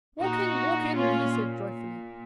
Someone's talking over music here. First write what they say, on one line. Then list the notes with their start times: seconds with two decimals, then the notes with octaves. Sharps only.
"Walk in, walk in," he said joyfully.
0.19 A#2 D#4 F#4
0.95 C#4 F4